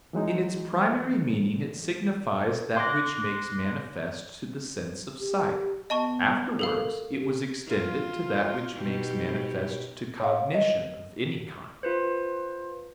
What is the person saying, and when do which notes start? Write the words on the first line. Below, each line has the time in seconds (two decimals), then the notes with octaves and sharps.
In its primary meaning it signifies that which makes manifest to the sense of sight; afterwards it was extended to that which makes manifest to cognition of any kind.
0.13 E3 F#3 G#3 D#4
2.76 C6 D6 F#6 A#6
5.20 G4
5.90 B3 D#5 A5 C#6
6.59 A4 A#4 F5
7.19 G4
7.66 F4
8.75 B2 D#4 G4
10.20 C#5 F5
10.54 D#5
11.83 F4 B4 C5